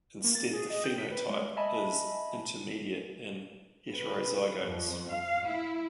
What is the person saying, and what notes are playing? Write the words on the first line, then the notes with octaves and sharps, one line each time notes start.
Instead the phenotype is intermediate in heterozygotes.
A#3
A6
G#4
D#5
G5
B6
B4
G#3
D#5 E5 G#5 A5 B5
B4
F2
F5
E4